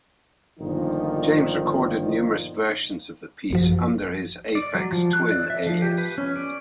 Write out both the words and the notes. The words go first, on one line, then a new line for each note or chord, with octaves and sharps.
James recorded numerous versions of the piece under his Aphex Twin alias.
G1 A#2 D#3 F3 D#4
A1 F#2 F3
D5
F#3
F3
F#6
D5
E5
F3
G4
B4
C#4
D5